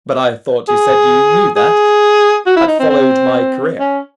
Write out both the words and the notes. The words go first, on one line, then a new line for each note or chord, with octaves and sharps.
"But I thought you said you knew that--had followed my career?"
G#4
G#4
F#4
E4
D#4
C4
C4
C#4